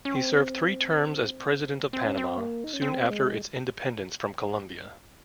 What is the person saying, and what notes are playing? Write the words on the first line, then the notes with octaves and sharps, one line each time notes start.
He served three terms as President of Panama soon after its independence from Colombia.
C#4
C4
C4
C#4
C4
A#3
D#4
C#4
C4
G#3